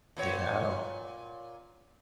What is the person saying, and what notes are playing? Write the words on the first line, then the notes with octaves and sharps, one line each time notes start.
You know?
A#2 B3 C#5